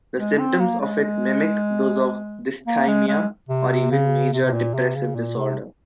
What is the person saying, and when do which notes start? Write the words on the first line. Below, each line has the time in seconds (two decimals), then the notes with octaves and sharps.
The symptoms of it mimic those of dysthymia or even major depressive disorder.
0.18 G#3
0.38 C4
0.60 A#3
0.81 G#3
2.67 A#3
2.88 G#3
3.08 G#3
3.49 C3
3.91 C#3
4.33 C3
4.45 C3
4.53 A#2
4.74 C3
4.95 C#3
5.15 A#2
5.37 C3